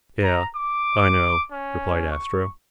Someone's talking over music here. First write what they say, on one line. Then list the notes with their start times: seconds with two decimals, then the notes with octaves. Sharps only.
"Yeah, I know," replied Astro.
0.23 A#5
0.56 D6
1.52 C#4
2.12 C#6